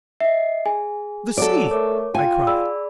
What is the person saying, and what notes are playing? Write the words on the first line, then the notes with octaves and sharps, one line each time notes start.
"The sea!" I cried.
D#5 E5 C7
G#4 G#5
F#3 A4 D5
A3 A#4 C#5 D6
F4 G5 G#5
G#4 D5 B5 E6